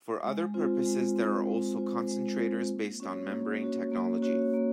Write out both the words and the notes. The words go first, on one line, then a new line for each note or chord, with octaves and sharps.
For other purposes there are also concentrators based on membrane technology.
G#3
C4 F4 C5
G#3
C4 F4 C5
G#3
C4 F4 C5
G#3
C4 F4 C5
A#3
C#4 F#4 C#5
A#3
C#4 F#4 C#5
A#3
C#4 F#4 C#5
A#3